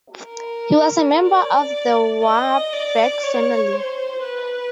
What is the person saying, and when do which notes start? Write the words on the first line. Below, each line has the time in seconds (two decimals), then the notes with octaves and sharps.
He was a member of the Warburg family.
0.25 A#4
1.24 D5
2.23 D#5
2.73 D5
3.23 C#5
3.73 C5
4.23 B4